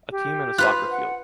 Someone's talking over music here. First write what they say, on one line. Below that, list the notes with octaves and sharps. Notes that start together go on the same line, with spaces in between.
A team in a soccer field.
G4
F4 B4 F5 F#6
F#5